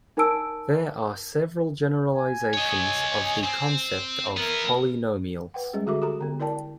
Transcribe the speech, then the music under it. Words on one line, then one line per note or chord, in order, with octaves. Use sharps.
There are several generalizations of the concept of polynomials.
D#4 A#4 G#5 A5 E6 D7
G#5
C#5 D#5
C4
B3 E4 A#4
B4 F#5 G5
G3 G#3 C#4 G#4
D3 F#4 G#4 A4 E5 D6
G4 A4 A#5
D3 B3
E4 A#4 D5 G5 A5